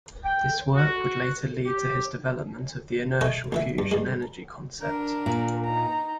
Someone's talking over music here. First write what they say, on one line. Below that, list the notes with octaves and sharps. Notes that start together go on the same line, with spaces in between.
This work would later lead to his development of the inertial fusion energy concept.
G5
F#4
G4
A4 C#5 D#5 E5 G#5 A#5
D2 E3 E5
G2
G2 G#3
D4 A#4
A#2
D#4 A#5